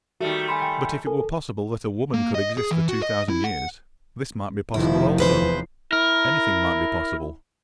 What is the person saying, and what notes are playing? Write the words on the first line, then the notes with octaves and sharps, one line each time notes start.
But if it were possible that a woman could exist for two thousand years, this might be possible also--anything might be possible.
D#3 G3 A3 F#4
G#5 B5 C6
G5
A4 A#4 G#5
A#3
D#5
G#4
E3
F#4
D#5
E4
F#5
F1 D#3 F3 E4
E2 B4 C5
E4 A#4